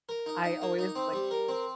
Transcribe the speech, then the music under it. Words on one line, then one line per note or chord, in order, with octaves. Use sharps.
I always like
A#4
D#4
D#4
A#3
D#4
C4
G3
A#4
C4